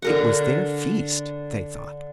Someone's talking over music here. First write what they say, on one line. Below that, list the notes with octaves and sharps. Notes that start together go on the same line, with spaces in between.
It was their feast, they thought.
D3 A#4 F#5